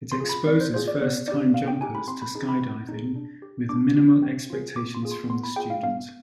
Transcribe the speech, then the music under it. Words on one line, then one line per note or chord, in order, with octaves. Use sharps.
It exposes first-time jumpers to skydiving with minimal expectations from the student.
C6
F4 G#4
B5
C4 D5
C5
F4 G#4 C5
D5
B3 D5
D#4 G4 D5
B3 F5
G5
D#4 G4 G#5
B5
C4 C6
B5
D#4 G#4
B5
C4
D#4 G#4
D4
G4
D4 D6
G4
C4
F4 G#4
C4 D6
C6
F4 G#4
C6
B3 C6
B5
F4 G#4 G5
F5
B3 F5